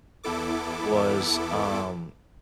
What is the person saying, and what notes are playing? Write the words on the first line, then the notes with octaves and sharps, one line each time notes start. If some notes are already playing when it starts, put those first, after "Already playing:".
was, um
E2 B3 E4 A4 D6